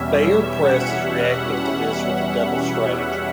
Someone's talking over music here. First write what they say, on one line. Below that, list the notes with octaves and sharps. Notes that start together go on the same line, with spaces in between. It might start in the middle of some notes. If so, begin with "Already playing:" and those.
Bayard Press is reacting to this with a double strategy.
Already playing: E2 B2 G3 C#4 E5
F#5